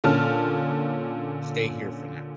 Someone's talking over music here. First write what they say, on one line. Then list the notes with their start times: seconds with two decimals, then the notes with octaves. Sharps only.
Stay here for now.
0.04 A#2 D3 C#4 A5 F6